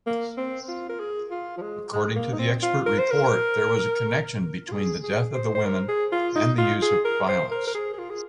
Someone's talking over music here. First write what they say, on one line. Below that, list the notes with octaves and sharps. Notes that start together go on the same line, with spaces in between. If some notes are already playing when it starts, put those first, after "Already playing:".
According to the expert report, there was a connection between the death of the women and the use of violence.
A#3
C4
F4
A#4
G#4
F4
F3
G#3
G#3
A#3
D#4
C4
F4
A#4
C5
A#4
F4
G#4
G#4
C5
C5
A#4
G#4
F4
D#4
F4
G#4
A#4
C5
A#4
A#4
G#4
G#4
F4
G#4